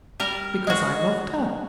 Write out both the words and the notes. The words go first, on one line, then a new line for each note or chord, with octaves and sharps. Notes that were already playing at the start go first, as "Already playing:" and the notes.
"Because I loved her."
G3 A#4
G#3 F#4 D#5